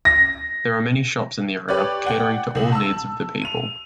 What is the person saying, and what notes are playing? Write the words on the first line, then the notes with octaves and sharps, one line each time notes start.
There are many shops in the area catering to all needs of the people.
A#6
G4 B4 C#5 D5
D5 F#5 G5
C2 F#7
A5 E6
D#7 F7